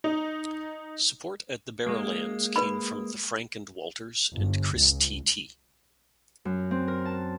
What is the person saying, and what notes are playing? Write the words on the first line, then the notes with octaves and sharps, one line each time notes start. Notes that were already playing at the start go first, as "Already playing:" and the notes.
Support at The Barrowlands came from The Frank and Walters and Chris T-T.
D#4
G#3 A#3
B4 B5
G1
C#2
F#2
C4
A#4
A5